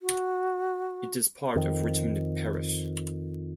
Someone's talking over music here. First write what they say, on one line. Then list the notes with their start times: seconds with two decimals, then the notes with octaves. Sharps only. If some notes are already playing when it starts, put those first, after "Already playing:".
It is part of Richmond Parish.
0.01 F#4
1.55 F2 D#3